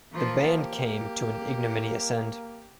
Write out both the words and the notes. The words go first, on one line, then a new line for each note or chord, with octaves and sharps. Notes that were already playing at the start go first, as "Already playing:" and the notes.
The band came to an ignominious end.
E3 F3 A#3 F4
G4